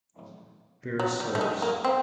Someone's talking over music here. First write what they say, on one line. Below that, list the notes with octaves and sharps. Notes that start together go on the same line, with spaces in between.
Per source.
F#3
G3
A3
G#3
A#3
C4